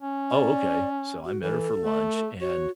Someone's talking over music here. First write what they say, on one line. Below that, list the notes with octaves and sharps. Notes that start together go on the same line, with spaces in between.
"Oh, ok," so I met her for lunch and
C#4
D5
F#4
E3 A4
A3
F#4 C#5